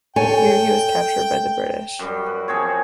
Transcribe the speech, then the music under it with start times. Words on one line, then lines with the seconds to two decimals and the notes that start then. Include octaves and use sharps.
Here he was captured by the British.
0.16 A4 C#5 G5 G#5
1.99 F#2 G3
2.26 B4
2.48 F3 C4 G#4 C#5